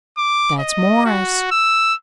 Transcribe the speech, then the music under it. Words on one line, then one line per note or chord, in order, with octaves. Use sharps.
That's Morris.
D6
D#5
F#4
E6